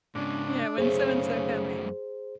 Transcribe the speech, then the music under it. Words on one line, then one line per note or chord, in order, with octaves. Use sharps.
Yeah, when's so-and-so coming.
G#2 C#3 D4
F#2 C#3 A3 G#4 C5